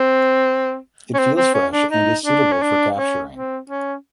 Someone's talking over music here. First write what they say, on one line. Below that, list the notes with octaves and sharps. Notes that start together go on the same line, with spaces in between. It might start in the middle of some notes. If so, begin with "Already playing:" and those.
It feels fresh and is suitable for capturing.
Already playing: C4
C#4
C4
C4
C#4
D4
D#4
D4
C#4
D4
C#4
C4
C#4